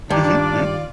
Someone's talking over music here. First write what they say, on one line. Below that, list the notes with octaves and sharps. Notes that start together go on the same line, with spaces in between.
Mhm. Mhm.
G2 D#3 D4 F4 D5 A5 A#5